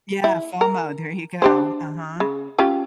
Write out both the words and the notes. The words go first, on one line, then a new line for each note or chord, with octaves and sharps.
Yeah, FOMO, there you go, uh-huh.
E4
A#4
D4 G4 C5
C#3
C#4 F4 G4